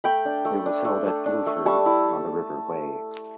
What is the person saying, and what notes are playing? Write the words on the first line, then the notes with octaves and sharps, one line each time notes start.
It was held at Guildford on the River Wey.
A3 G5 B5
D4
A3
D4
A3
A3
D4
A3
G3 A5 C#6
E4